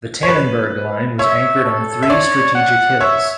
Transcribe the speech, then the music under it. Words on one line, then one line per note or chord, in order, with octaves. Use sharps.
The Tannenberg Line was anchored on three strategic hills.
C#5
B4
C#5 E5
A4
E5
C#5 D5
F#5
C#5 E5